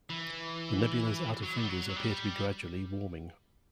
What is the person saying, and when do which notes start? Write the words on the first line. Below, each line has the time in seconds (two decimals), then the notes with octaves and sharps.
The nebula's outer fringes appear to be gradually warming.
0.10 E3
1.43 F#3
1.56 G3
1.69 F#3
1.89 F#3
1.96 G3